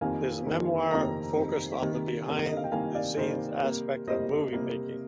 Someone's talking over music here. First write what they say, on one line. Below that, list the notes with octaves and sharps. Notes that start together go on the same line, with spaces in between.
His memoir focused on the behind the scenes aspect of movie-making.
F2 D#3 G3 A#3 F5 G#5
F2 D#3 G3 A#3
F2 D#3 G3 A#3 G5 A#5
F2 D#3 G3 A#3
C3 D#3 G3 A#3
C3 D#3 G3 A#3
D#5
F5
G5
C3 D#3 G3 A#3 F5 G#5
D5 F5
C3 D#3 G3 A#3 C5 D#5
C3 G3 A#3
C3 G3 A#3 C5 D#5
C3 G3 A#3